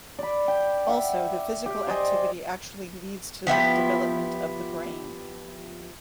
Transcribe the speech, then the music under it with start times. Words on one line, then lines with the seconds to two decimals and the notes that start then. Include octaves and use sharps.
Also, the physical activity actually leads to the development of the brain.
0.18 D5 B5
0.48 G5
0.87 E5 F#5 G5
1.66 G4
1.87 C5 D5 D#5 G#5
3.47 F3 B3 E4 G4